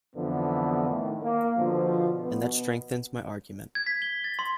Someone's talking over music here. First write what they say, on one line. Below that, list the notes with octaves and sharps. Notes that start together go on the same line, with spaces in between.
And that strengthens my argument.
F2 D3 E3 F3 B3
A2 D#3
A#3
B2 D3 F3
B2
G#6
B6
G7
A6
C6